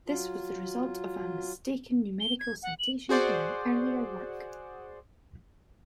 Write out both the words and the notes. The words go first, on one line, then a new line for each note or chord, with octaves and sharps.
This was the result of a mistaken numerical citation in an earlier work.
F#3 F4
G7
G#6
F#5
F#7
F#4 G#4 C5 D5 F#5